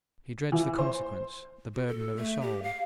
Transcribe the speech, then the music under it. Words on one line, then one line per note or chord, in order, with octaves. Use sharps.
He dreads the consequence--the burden of a soul.
E3
C5
F#4
A4
A3
G4
F5